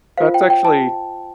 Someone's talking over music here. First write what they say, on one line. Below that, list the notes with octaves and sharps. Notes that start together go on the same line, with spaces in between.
That's actually
F4 C5 F5
G5
G5
A5